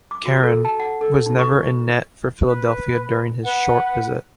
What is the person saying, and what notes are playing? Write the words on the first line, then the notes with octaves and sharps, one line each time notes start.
Caron was never in net for Philadelphia during his short visit.
D6
F#4
A4
A5
F#5
A4
D#4
C#6
B4
B4 F#5